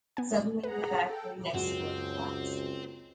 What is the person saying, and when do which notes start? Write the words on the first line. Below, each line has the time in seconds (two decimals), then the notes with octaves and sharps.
Suddenly the factory next door collapsed.
0.17 B3 G#5
0.64 G#4 B4 F#5 A#5
1.02 A4 G5
1.54 C#2 F#2 C4 F#5